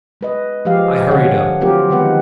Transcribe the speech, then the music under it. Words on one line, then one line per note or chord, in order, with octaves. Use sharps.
I hurried up.
G#3 B4 D#5
F3 G#3 G4 F5
D3 C#5 F#5
F#3 A3 C4 F4 G4 A#4
D#3 F#3 G#3 B3 B4 F#5